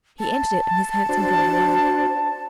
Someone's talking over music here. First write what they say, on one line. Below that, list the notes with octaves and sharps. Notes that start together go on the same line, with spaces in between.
He entered it, and his hansom drove away.
A5
D4 F#4 C5